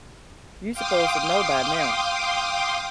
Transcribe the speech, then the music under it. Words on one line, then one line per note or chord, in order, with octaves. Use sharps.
you supposed to know by now.
F5 G5 C6 D6 D#6